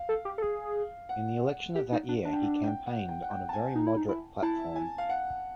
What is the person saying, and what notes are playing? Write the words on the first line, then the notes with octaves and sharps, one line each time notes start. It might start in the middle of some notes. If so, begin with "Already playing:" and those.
In the election of that year he campaigned on a very moderate platform.
Already playing: F5
A4
G4
A4
G#4
F#5
G4
D#4
D4
D4
G5
F#5
G5
F#5
G5
F#5
G5
A5
G#5
D#4
E4
D#4
E4
E4 A5
G#5
F5
F#5